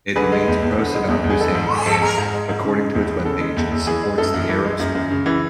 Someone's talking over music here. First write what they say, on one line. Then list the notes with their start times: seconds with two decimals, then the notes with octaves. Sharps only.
It remains pro-Saddam Hussein and, according to its webpage, supports the Arab Spring.
0.16 D3 G#4 B4
0.32 G#3
0.48 E2
0.63 E2
0.78 D3
0.94 G#3
1.08 E2
1.24 E2
1.30 G#4
1.39 G#3 A4
1.55 G#2
1.71 G#3
1.87 G#2
2.01 G#3 G#4
2.18 G#2
2.33 G#3
2.49 G#2
2.63 C#3
2.78 G#3
2.95 E2
3.11 E2
3.25 C#3 A4
3.40 G#3
3.57 E2
3.72 E2
3.87 E3 G#4
4.03 G#3
4.18 F#2 A4
4.34 F#2
4.49 E3
4.64 G#3
4.79 F#2
4.95 F#2
5.11 C#3
5.26 E3